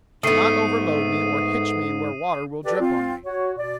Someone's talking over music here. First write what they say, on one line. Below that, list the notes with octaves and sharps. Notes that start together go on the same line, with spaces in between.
Do not overload me or hitch me where water will drip on me.
G#2 A3 B3 D#6 C7 D#7
G4 A4 B4 D5
C4 F4
F#4 C#5
B2 D5